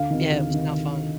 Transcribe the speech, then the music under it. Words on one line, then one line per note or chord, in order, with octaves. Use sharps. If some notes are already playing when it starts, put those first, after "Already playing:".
Yeah, it was not fun.
Already playing: D2 F5
C3 D#3
D2
C3 D#3